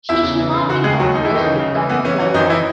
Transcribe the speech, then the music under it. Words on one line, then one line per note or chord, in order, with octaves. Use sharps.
He should not be confused with Doubleclouder.
E2 E4 E5
C#3
E3
C#3
C#3 F#4 F#5
D#2 G#3 G#4
D#2 F#3 F#4
D#2 D#4
E3 E4
D#3 D#4
C#3
C#3
E3
E3 B3
E3 C#4
E3 C#4
F#2 D#3 D#4
E3 E4